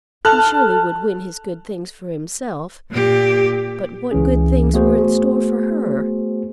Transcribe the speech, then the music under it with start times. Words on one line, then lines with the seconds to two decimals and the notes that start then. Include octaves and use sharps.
He surely would win his good things for himself. But what good things were in store for her?
0.25 A4 A5 F6 F#6
2.91 A#2 G4
4.11 C#2 E3 C#4 G#4
4.74 A3 B3 F#4 G#4 C5